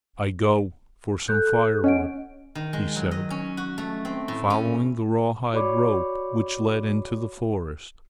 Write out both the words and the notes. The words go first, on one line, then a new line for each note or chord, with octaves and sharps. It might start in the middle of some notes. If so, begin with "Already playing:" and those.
"I go for some fire-wood!" he said, following the rawhide rope which led into the forest.
A4 F#6 G6
C#4 D#5 F#5 D7
D#3
G#3
F#3
D#5
C#4
F#4
A3
C4
A2
C#4
F#4 C#5 D5 B5 C#6 D6